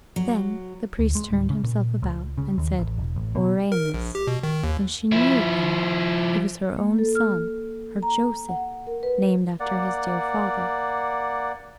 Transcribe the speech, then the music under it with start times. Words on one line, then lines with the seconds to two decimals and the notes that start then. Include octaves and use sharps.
Then the priest turned himself about, and said, "Oremus." And she knew him--he was her own son--her Joseph, named after his dear father.
0.16 F#3
0.99 D2
1.15 G#3
1.30 D1
1.50 C#3
1.64 A#2
2.03 C#2
2.38 C#3
2.58 D#2
2.79 A1
2.98 E1
3.16 A1
3.35 B2
3.72 A#4
3.94 A#1
4.15 G4
4.27 B2
4.43 D#3
4.63 D#2
5.12 F3 E4
6.77 A#3
6.99 A4
7.15 F6
8.03 A#5
8.49 F#5
8.87 A#4
9.03 B4
9.60 A#3 D5 F#5